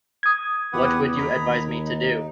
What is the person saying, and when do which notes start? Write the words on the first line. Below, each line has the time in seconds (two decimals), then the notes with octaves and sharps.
What would you advise me to do?
0.23 D#6 G#6
0.73 E2 G4 B4 F#5
1.17 D#2 A#5 B5
1.85 D#4